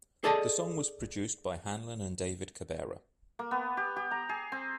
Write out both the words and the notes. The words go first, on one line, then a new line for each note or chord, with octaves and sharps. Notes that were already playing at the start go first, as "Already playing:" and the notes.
The song was produced by Hanlon and David Cabera.
G#4 A4 D5 D#5 A5
A#3
B3
G4
G4
A#5
G#4
C4